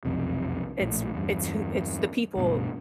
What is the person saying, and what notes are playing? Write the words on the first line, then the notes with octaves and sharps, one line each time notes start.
it's w it's who it's the people
E1 B1 F2 C3
A#1 A2
E2 G2
C#2 G2 B2